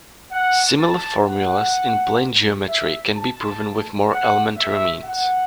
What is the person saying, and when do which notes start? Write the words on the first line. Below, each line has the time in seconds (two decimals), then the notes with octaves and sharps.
Similar formulas in plane geometry can be proven with more elementary means.
0.31 F#5
0.78 A5
1.25 F#5
2.67 E5
3.14 A5
4.09 F#5
4.56 E5
5.03 F#5